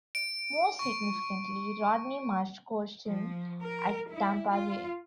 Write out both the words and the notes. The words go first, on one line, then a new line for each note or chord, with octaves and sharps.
More significantly, Rodney Marsh coached him at Tampa Bay.
D7
C#6
F3
A#4
E4
F4